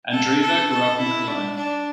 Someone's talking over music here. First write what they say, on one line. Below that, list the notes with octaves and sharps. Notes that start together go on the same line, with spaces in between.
Andreeva grew up in Cologne.
A4
A4
A4
E4
D4
D4